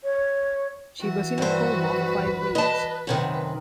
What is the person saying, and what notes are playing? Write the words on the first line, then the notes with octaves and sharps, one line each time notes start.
She was in a coma for five weeks.
C#5
E3 F#4
G2 B4 C5
D#5 A5
F#2 C3 D#3